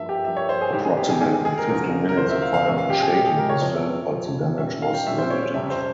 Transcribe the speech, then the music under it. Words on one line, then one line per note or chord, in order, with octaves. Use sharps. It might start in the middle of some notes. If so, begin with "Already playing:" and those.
Approximately fifteen minutes of violent shaking was felt but the damage was limited.
Already playing: G2 F3 A#3 E5
G4
G2 F3 A#3 E5
C#5
C5
G#4
G#2 E3 G#3 G4
G#4
G4
G#4
G#2 E3 G#3 G#4
G#4
G#4
A#4
E2 C#3 F3 A#3 A#4
A#4
E2 C#3 F3 A#3 C5
E5
F5
F5
A#2 G#3 C#4 E5
F5
G4
G#4
A#2 G#3 C#4 G4
G#4
A#4
C#5
F2 C3 F3
F2 C3 F3
A#2 G3 C#4 E5
F5
G5
A#2 G3 C#4 E5
C5
C#5
C#5
F2 C3 G3 C#4 E5
C5